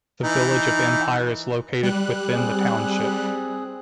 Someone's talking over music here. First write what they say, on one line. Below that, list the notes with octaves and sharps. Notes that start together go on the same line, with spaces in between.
The village of Empire is located within the township.
E3 D#4
D#4
G3 F#6
C4 G#4